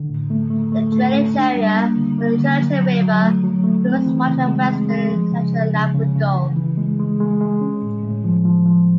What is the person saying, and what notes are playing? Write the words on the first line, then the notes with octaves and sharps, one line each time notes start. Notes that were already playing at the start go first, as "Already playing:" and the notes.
The drainage area for the Churchill River includes much of western and central Labrador.
Already playing: D3
A2
A3
A3
A3
A3
A3
D4
G3
A#3
D3
A#3
D3
F#3
F#3
F#3
A3
F#3
A3
C4
E3
C#3
G#3
G#3
G#3
F3
C#3
C#3
C#3
C#3
C#3
E3
E3
G#3
G#3
G#3
G#3
C#4
A2
A2
F3
F3
F3